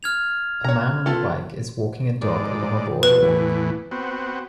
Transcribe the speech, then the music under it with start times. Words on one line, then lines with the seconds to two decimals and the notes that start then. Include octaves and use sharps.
A man on a bike is walking a dog along a boardwalk.
0.03 F6 G#6 F7
0.64 C#5 A#5
1.06 B3 F4 A4
2.22 G#2 D5
3.03 F2 B2 B4
3.22 E2 A2 E3
3.91 B3 C4 F#4